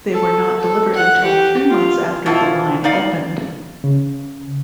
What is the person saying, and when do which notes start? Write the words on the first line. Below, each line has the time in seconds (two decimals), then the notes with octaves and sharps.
They were not delivered until three months after the line opened.
0.12 A4
0.58 A4
0.94 F#5
1.24 G4
1.69 F4
2.26 B2 F3 E4 F4 A5
2.84 D#4 D5 F5
3.84 C#3